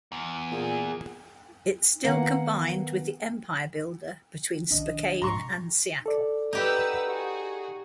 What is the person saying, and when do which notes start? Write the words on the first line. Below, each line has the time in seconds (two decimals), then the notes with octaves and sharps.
It still combined with the "Empire Builder" between Spokane and Seattle.
0.12 E2
0.51 A#2 G#4
2.04 D#3 A#3 B3 F#5
4.71 B1 D#3 F3 C#4 D4 D#5
5.22 D#1 G#1 C3 A#5 C6 C#6
6.06 A4 D5
6.53 D#4 G4 B4 F#5 E6
7.08 F#4 G#4